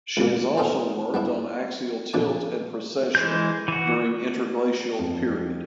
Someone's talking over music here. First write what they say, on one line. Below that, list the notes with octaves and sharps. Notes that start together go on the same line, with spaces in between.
She has also worked on axial tilt and precession during interglacial period.
C#2 A#2
B3 C#4 D#4 A4 C5
G3 B3 D4 E4
A#1 B2 D5 A5
E3 G#3 G6
E3 F#4
F2